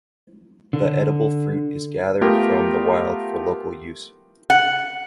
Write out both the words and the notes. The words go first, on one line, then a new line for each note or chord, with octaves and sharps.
The edible fruit is gathered from the wild for local use.
D3
A3 B3 F4 G4 A#4
F#5